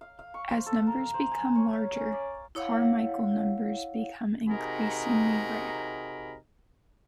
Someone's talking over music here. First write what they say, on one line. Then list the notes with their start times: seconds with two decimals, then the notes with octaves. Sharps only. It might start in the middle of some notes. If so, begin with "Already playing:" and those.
As numbers become larger, Carmichael numbers become increasingly rare.
0.01 F5
0.19 F5
0.34 C#6
0.50 C5
0.66 A4
0.87 A#4
1.14 C5
1.32 G#5
1.55 C#5
1.73 F5
1.96 C#4
2.12 D5
2.55 E4 C#5 F5 F#5
4.49 C3 D#4 F#4 G#4 A#4 B5